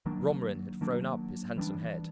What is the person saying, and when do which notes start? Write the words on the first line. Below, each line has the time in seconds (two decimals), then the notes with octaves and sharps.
Romarin had thrown up his handsome head.
0.06 D#3 F#3 A#3 D4
0.81 D#3 F#3 A#3 D4
1.57 E3 G3 B3 D4